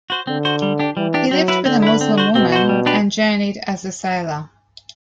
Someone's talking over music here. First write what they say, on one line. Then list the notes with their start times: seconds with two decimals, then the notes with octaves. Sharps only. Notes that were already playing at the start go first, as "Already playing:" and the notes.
He lived with a Muslim woman and journeyed as a sailor.
0.10 F#4 C5
0.27 D3 C4
0.45 F#4 C5
0.62 G3
0.79 D4 G4
0.97 E3 G3
1.14 D4 G4
1.31 F#3 C4
1.48 E4 B4
1.65 D3 C4
1.82 E4 B4
2.01 C4
2.18 F#4 C5
2.35 B2 C4
2.52 F#4 C5
2.69 G3
2.86 D4 G4 B4